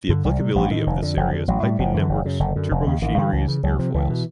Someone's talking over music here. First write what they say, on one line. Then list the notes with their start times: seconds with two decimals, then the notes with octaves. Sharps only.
The applicability of this area is piping networks, turbo-machineries, airfoils.
0.09 G2 D3
0.25 C2 G3
0.40 C3
0.55 A1 F3
0.70 A2 D#3
0.86 F1
1.02 F2 D3
1.17 F#1 F3
1.32 F2 D3
1.48 A1 F#3
1.63 A2 G3
1.79 F#1 F3
1.94 F#2 D3 E3
2.09 F#1
2.25 F#2 C#3
2.40 F#1 D3
2.56 F#2 D3
2.71 F1
2.86 D#2 C#3
3.02 A1 D#3
3.17 G2 D3 E3
3.33 C#2
3.48 C#3
3.63 C#2 F#3
3.79 C3 F3
3.94 C#2 E3
4.09 B2